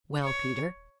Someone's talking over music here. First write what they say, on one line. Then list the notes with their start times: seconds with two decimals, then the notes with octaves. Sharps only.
"Well, Peter?"
0.22 C#5